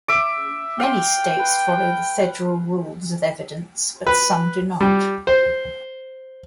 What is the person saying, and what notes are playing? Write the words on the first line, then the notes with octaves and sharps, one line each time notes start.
Many states follow the Federal Rules of Evidence, but some do not.
E5 D6
F5 G5 C6
B4
B4
G3
C5